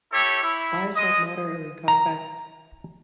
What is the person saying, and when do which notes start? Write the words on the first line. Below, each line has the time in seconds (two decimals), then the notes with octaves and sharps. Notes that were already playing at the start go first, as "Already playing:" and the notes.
Eyes are moderately convex.
0.12 E4 G4 A4 C#5
0.43 E4
0.96 G#3 D#5 D#6
1.88 A#5